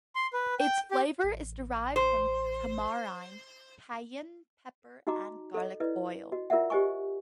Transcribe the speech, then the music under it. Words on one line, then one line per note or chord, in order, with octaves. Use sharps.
Its flavour is derived from tamarind, cayenne pepper and garlic oil.
C6
B4
G5
G4
A1
C5
D#4 F#4 D#5 A#5 D6
A4 D#5
E4 B4 D5 D#5
F#4 D#5
F4 A#4 D5 E5 F#5
G4 C5 D#5 G#5 C#6